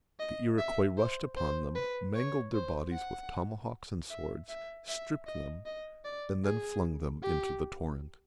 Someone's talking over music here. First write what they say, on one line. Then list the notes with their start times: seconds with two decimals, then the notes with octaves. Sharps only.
The Iroquois rushed upon them, mangled their bodies with tomahawks and swords, stripped them, and then flung them into the torrent.
0.19 D#5
0.58 E5
0.98 C5
1.37 C5
1.75 B4
2.15 C#5
2.54 C5
2.93 F#5
4.10 E5
4.49 E5
4.88 E5
5.27 D#5
5.66 D#5
6.05 D5
6.44 G#4
7.23 G4